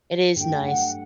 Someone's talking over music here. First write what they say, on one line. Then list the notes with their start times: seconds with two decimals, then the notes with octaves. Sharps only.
it is nice
0.36 G2 D3 F#3 A3 G5
0.65 F#5